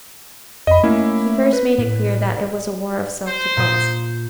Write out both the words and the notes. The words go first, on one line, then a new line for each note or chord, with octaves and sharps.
He first made it clear that it was a war of self-defense.
F2 D#5 B5
A3 A#3 C#4 E4
B4
A2
C5
A#2 D#6